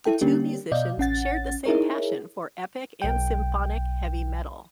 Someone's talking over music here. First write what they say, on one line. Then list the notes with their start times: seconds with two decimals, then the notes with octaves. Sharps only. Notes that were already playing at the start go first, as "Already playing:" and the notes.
The two musicians shared the same passion for epic and symphonic Heavy Metal.
0.05 E4 A4 G5
0.21 D3 G3 A#3 C#4 D4 G4
0.72 B2 D5 D#5 F5 G6
0.98 A1 C#4 F#5 A6
1.65 D#4 E4 G#4 A#4 C#5
3.02 B1 G5